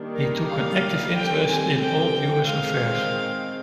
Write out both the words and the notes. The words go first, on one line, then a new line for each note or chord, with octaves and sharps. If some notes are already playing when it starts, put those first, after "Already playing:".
He took an active interest in all Jewish affairs.
Already playing: D#3 G3 A#3 D4
A#4
F5
D3 G3 C4 G5
G#5
G5
D#3 G#3 C4 F5